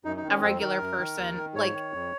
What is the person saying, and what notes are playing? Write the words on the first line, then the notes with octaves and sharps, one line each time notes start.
a regular person, like
F#2 D#4
D#4
D#3
C#4
F2 C4
D#3 A#4
F#2
D#3
D#2
D#3
G#2 C#5
D#3
F2